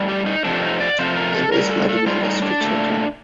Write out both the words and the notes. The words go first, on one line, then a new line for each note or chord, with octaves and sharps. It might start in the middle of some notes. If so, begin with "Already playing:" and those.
Galea is married and has two children.
Already playing: A2 G3
G4
D#4
F2 C3 F3 A3 D4
D#4
D5
F2 C3 F3 A3 C5
A#4
A4
A2 G3 A#4
A4
A4
A2 G3 F4
D#4
D4
A#2 A3